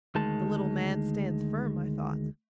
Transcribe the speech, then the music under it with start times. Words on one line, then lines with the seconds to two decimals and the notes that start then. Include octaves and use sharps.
The little man stands firm, I thought.
0.15 D2 D#3 G#3 A5